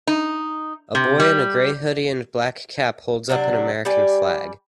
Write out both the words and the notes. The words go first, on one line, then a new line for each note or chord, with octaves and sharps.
A boy in a gray hoodie and black cap holds up an American flag.
D#4
C3
G3
C3 F#3 D4
G3 G4 D5 G#5